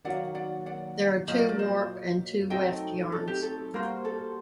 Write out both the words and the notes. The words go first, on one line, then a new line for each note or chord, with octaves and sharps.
There are two warp and two weft yarns.
D#3 F#3 A#3 D5 F#5
D5 F#5
D5 F#5
A#2 F#3 A#3 C5 D#5
A#4 D5
A#4 D5
C5 D#5
F#3 A3 C4 D#4 A4 D#5 G5
A4
G4
A4
G3 A#3 F#4 A#4 C5
A4